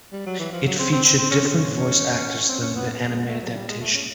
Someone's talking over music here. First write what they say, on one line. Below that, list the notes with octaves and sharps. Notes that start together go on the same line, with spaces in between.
It featured different voice actors than the anime adaptation.
G3
F#3
E3
F3
F#3
C4
C4
C4
C4
C#4
C#4
C4
C#4
B3
G#3
A3
F#3
G3
G#3
A3
C#4